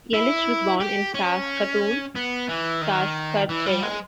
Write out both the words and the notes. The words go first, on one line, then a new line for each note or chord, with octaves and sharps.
Yelich was born in Saskatoon, Saskatchewan.
E4
G4
C#4
B3
E3
D#3
E3
G3
G#3